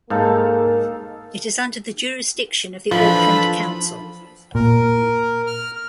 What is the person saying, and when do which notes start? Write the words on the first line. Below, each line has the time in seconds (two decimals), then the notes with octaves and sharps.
It is under the jurisdiction of the Auckland Council.
0.10 G#2 G#3 A#3 D#4 A4 F5
2.91 E3 F3 D4 F4 A4 B5
4.55 A#2 A#4
5.47 F6